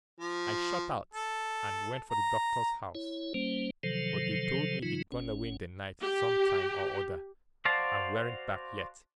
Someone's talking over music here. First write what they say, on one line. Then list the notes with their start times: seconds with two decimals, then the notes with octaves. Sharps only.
I shot out and went for the doctor's house, but they told me he'd gone away in the night some time or other, and warn't back yet.
0.20 F3
1.14 A4
2.11 A#5
2.95 E4 C#5
3.34 G3 A#3 C#4 C5
3.83 C3 D#3 F3 F#3 A4 C5
4.83 C#3 E3 F#3 D#4 F4
5.12 F#1 C#4
6.03 G4
7.65 F#4 C5 D5 F5 A5